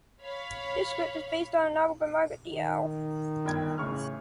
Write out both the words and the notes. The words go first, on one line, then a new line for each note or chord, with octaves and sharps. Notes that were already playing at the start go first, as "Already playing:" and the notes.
The script is based on a novel by Margaret Diehl.
C#5 F5 B5
D#3
G1 G5 G#6
A1 C#3 C#6 F6